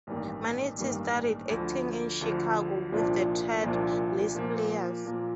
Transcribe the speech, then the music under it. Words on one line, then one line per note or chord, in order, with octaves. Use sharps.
Manetti studied acting in Chicago with the Ted List Players.
A1 G2 D#3 G3 A#3
A1 G2 D#3 G3 A#3
D2 D3 F3
D2 D3 F3
C2 A#2 F3 A#3 D4
C2 A#2 F3 A#3 D4
A#2 F3 A#3
A#2 F3 A#3